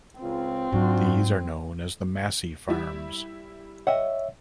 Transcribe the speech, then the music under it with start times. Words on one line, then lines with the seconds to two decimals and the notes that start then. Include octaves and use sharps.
These are known as the Massey Farms.
0.21 C#2 C4 F4
0.72 G#2 F#3 G3 D4 F4 F#4
2.69 G3 E4
3.87 C#5 D#5 E5 F#5